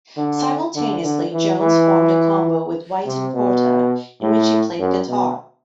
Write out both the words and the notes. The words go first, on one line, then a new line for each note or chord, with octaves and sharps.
Simultaneously, Jones formed a combo with White and Porter, in which he played guitar.
D3
D3
D3
E3
E3
C3
B2
A2
F#2
B2